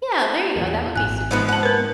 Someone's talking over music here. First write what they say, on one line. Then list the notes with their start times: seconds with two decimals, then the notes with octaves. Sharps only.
Yeah, there you go, that would be super fun.
0.56 E2 A#2
0.96 G#1 G#5 F#6
1.31 G#2 E3 F3 B3
1.49 F#5 G#5 A5
1.63 A#4 B4